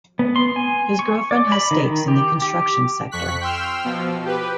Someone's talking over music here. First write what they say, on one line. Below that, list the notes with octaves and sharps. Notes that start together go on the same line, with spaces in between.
His girlfriend has stakes in the construction sector.
B3
C6
G#5
C#6
D5
B5
D#3
D#3
G4
G4
F2 C#6 F#6 B6
G5 C6 E6 F6
B2 F3
G4 B4